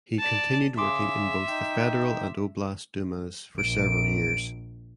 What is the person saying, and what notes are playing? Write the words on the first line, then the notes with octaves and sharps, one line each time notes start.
He continued working in both the federal and oblast dumas for several years.
D5 A5
C#3 G#4 E5 C6 D6
D#4 G5
A#1 D7